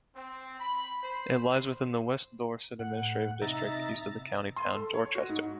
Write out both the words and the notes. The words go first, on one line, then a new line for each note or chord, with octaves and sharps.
It lies within the West Dorset administrative district, east of the county town Dorchester.
C4
B5
C5
A2 F#5
C3 D#4 E5 A#5 A6
C6
A4
C#5
F#4
G#2